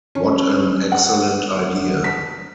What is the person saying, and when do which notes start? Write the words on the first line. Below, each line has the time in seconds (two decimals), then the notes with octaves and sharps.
What an excellent idea.
0.15 C#4
0.92 F#5
2.04 B6